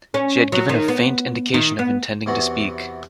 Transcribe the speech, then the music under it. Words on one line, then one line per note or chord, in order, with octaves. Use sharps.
She had given a faint indication of intending to speak.
C#4
F#3
D#3
B3
D#3
B3
E2 C3 E3 B3 F#4 F#5